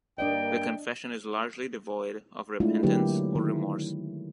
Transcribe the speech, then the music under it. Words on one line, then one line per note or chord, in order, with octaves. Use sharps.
The confession is largely devoid of repentance or remorse.
G2 A#3 D4 D5 D#5 G5
G#3 A3 D4 E4 F4
D3 F#3 A#3 E4 G4 B4
D#3 E4